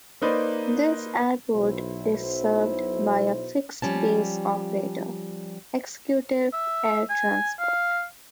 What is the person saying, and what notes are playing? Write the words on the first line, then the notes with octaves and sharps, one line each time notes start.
The airport is served by a fixed-base operator, "Executive Air Transport".
A#3 D#4 B4 C5 D5
B1 E4 C5
F3 G3 C#4 A5
E5
G#5
F5